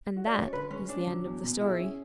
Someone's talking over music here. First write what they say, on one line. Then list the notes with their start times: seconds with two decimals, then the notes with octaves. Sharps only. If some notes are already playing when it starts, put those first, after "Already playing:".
And that is the end of the story.
0.16 F#4
0.27 D5
0.34 C#4
0.40 C#5
0.53 D3 B4
0.71 G#3 C#4
0.89 C#4 D4
1.07 F#3
1.25 E2
1.44 B2
1.61 E4 G#4
1.80 C#4